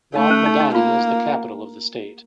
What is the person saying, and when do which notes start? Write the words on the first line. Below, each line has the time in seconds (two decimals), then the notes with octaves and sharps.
Wad Madani is the capital of the state.
0.16 A3 D#4
0.30 C#4
0.46 D#4
0.60 D#4
0.75 A#3 F4